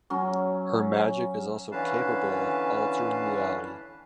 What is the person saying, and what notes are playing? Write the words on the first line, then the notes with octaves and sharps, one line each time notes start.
Her magic is also capable of altering reality.
F#3 C#4
D3 E3 C#4 B4 F5 A5